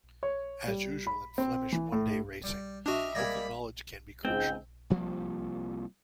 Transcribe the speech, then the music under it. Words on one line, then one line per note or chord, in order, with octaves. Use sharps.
As usual in Flemish one-day racing, local knowledge can be crucial.
C#5
G3
B5
C4
E3
A2
G3
D4 F#4 G4 D#5 E5 F6
G3 G#3 A#3 B5 G#6 A#6
C#2 G#2 C4 G5
C2 F3 G3 A#3